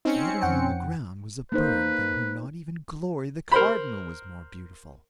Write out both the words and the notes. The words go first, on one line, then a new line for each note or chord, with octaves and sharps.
Fluttering on the ground was a bird than whom not even Glory the Cardinal was more beautiful.
C4 C#4 D#4 C#7
F2 F#5 G5
A#3 D#4 B4 C5
A#4 C5 B5